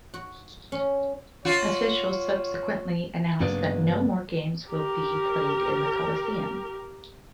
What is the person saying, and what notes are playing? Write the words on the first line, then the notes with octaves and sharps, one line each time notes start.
Officials subsequently announced that no more games will be played in the Coliseum.
F#4
C#4
F4 F#4 C#5
G2 C#3 F#3 A#3 B3 D4
G4 A#4